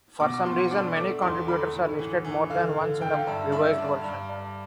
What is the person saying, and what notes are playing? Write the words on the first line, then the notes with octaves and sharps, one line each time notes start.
For some reason many contributors are listed more than once in the revised version.
B2 D6
D6
B2 C6
D4 D6
A3 D6
E2 C6
D3 B5
A2
E3
E3
D3 F5
D3
D3 G5
F5
G2 E5
D4 E5
D4 D5
G2
G2